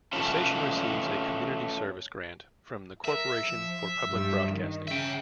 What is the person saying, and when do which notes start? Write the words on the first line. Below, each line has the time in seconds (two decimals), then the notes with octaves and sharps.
The station receives a Community Service Grant from the Corporation For Public Broadcasting.
0.13 A3 C#4 F4 A5
3.05 A#4 E5
3.44 F3
4.09 G2 G3
4.48 D#3
4.88 C#3 E5 G5